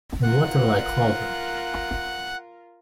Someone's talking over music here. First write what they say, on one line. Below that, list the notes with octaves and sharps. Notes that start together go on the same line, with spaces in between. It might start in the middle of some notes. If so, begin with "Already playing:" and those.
What'll I call them?
F4 A#4 F#5 F#6